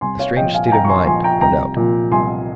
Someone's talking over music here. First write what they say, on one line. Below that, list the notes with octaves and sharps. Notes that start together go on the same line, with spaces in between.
A strange state of mind, no doubt.
C2 G#5 C6
C#5 F5
A#2 F3 D#5 G5
F5 G#5
G#5
C2 G5 A#5
C#6
G#5 C6
A#2 F3 G#5 C6
G5 A#5
C2 G5 A#5
A#2 F3
C2 G#5 C6